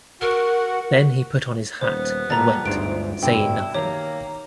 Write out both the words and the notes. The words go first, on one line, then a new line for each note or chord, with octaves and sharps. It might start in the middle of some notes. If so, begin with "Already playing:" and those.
Then he put on his hat and went, saying nothing.
F#4 A#4 F#5
D#1 B3 C5
A#2 G3 A4 A#5 A6
G1 D2 G#2 C5 D7
G2 B2 D3 E4 G5
D#3 A#3 G4 C#5